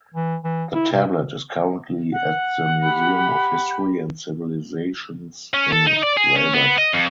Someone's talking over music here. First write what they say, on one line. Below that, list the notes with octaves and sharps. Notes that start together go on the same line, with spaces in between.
The tablet is currently at the Museum of History and Civilizations in Rabat.
E3
E3
E4
C3
F#5
G4 B5
C#4
A4
D#4
D5
G#4
C#4
B3
D#5
F2